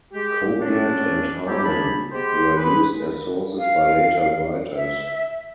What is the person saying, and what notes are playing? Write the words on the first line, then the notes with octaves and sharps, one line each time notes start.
Copland and Harman were used as sources by later writers.
G#3 G4
C#4 D4
F#3 B3 E4 G4
F#2 D4 G#4 A5 B5
G#3 B3 G4 C5
G#4 B4
F5
E5